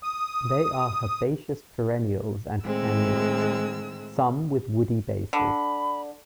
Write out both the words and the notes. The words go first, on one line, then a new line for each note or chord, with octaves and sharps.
They are herbaceous perennials and annuals, some with woody bases.
D#6
A2 D#3 G#3 C4 E6
D3 B5